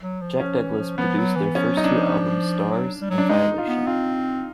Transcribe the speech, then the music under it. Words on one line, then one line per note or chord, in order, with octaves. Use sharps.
Jack Douglas produced their first two albums "Starz" and "Violation".
F#3
F3
F3 C#4
E3
F3
F3 B3
F#3
E3
F3 C#4
F#3 D#4
D4
F3
F#3
G3
F#3
D4
G#3 D#4
F4
B3
C4 F4